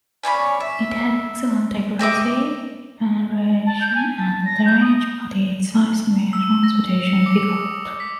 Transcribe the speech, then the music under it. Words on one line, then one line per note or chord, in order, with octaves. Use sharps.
It had excellent accuracy, penetration and range, but its size made transportation difficult.
C#4 D4 C#5 B5
E5
G4 D#5 E5 D6
A5
G6
G#5
A5
A#6
G6
D#6
E6
A#6
C#7
D6
D#6
B6